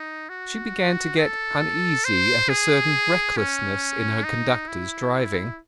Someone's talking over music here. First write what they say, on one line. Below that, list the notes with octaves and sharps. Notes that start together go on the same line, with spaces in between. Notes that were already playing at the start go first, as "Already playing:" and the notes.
She began to get uneasy at a certain recklessness in her conductor's driving.
Already playing: D#4
F#4
A4
C5
G#4
C#4
D#4
E4